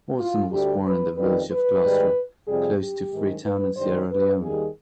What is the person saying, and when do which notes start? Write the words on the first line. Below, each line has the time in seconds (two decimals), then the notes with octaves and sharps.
Horton was born in the village of Gloucester, close to Freetown in Sierra Leone.
0.20 F4
0.52 D2 D3 G3 G4
0.86 B4
1.17 F2 D#3 G3 B4
1.51 B4
1.83 G#2 D#3 G3
2.47 F2 C3 G3 G#4
2.81 G4
3.12 G#2 D#3 G#3
3.45 B4
3.77 G2 D#3 G3 C5
4.11 B4
4.42 D#2 D#3 G3 G#4